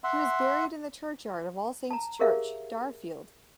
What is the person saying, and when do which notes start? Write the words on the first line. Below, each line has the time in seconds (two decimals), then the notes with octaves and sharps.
He was buried in the churchyard of All Saints Church, Darfield.
0.04 E5 F#5 C6
1.91 A5 A#5
2.19 G4 G#4 A#4 C#5 E5 F5